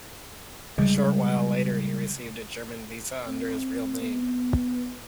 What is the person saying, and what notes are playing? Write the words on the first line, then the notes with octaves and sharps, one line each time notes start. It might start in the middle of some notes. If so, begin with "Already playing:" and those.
A short while later he received a German visa under his real name.
C#3 G3 G#3
C4
B3